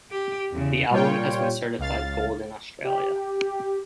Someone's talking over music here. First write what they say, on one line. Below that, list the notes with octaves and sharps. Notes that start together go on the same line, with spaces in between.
The album has been certified gold in Australia.
G4
E2 C#3
A#2 G3 F4 C#5 G5
C#2 F5 A6
G4